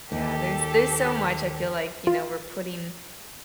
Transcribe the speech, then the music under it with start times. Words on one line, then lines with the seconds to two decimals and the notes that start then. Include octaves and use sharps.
Yeah, there's there's so much I feel like, you know, we're putting,
0.12 D#2 G4 A4
2.07 F4